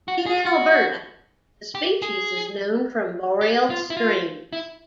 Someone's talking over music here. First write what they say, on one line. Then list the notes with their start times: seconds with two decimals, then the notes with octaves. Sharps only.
In Alberta, the species is known from boreal streams.
0.08 F#4
0.26 G#4
0.45 F#4
1.75 G4
2.02 G#4
3.41 G4
3.70 F4
3.90 E4
3.97 F4
4.53 E4